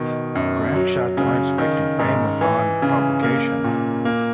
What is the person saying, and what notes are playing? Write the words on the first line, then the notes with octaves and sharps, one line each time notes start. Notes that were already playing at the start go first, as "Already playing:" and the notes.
Grant shot to unexpected fame upon publication.
Already playing: B2 D#3
F#2
F#3
C#3
D#3
G#2
E3
C#3
A#3
A#2
A#3